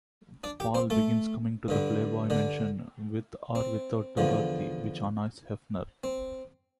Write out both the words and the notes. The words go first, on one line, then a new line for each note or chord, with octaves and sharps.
Paul begins coming to the Playboy Mansion, with or without Dorothy, which annoys Hefner.
D4 D5
G4 G5
C4 C5
A3 A4
G2 D3 G3
D3 D4
C4
E2 D3 F3
C4